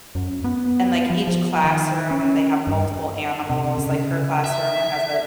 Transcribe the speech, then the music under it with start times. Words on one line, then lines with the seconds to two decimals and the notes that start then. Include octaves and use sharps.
and like each classroom, they have multiple animals, like her classroom has a
0.15 F#2
0.44 B3
1.10 F3
1.28 F3
1.64 D#3
2.11 C#4
2.67 G2
3.50 C3
3.78 C#3
4.44 E5